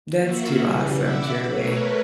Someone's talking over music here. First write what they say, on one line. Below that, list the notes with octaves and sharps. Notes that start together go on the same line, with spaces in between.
That's too awesome, truly.
A#3 F4 F#4 E5 F#5
C#3 E3 G3
E5 F#5 B5 D6 E6
A3 A#4 B4 C#5